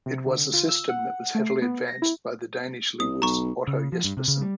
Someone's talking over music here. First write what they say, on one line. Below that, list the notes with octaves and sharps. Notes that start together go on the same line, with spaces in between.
It was a system that was heavily advanced by the Danish Linguist Otto Jespersen.
C3
D3
F4
E6
F#5
A3
C7
B3
A#6
E4
C2 D#6
B1 A#5 C#6
C#3
F3
G2
C3
C#3
G3